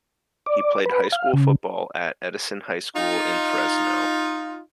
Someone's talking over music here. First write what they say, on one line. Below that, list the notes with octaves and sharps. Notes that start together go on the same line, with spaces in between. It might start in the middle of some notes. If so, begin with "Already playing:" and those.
He played high school football at Edison High School in Fresno.
D5
B4
F5
C#3
D#4 F4